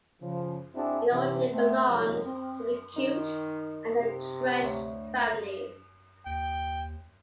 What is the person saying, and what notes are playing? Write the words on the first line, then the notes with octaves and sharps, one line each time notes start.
It originally belonged to the Coote and then Trench families.
C#3 F3
C4 D4 E4 F#4 G#4
C3 E3 C#4
A3 B3 C4
C2 F2 A#2 D#3 F#3 G#3
C4
D#3 D#4
C3
D2 C#5
D#2 G5